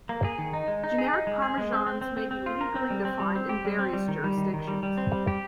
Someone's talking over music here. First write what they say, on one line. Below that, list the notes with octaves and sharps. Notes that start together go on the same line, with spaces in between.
Generic parmesans may be legally defined in various jurisdictions.
A#3
G#4
D#3
D#4
G#3
D#4
G#4
D#4
G#3
G#4
G#3
C4
C4
C4
C4
C4
F4
A#4
C4
G3
C4
G3
C4
G4
G3
C4
G3
D#3
G3
D#3
D#3
G3
G3
C4
G3
G4